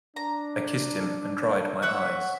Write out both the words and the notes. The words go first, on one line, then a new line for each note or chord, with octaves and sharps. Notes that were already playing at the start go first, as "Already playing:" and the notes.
I kissed him and dried my eyes.
D4 A#5
C#5 E5 F#5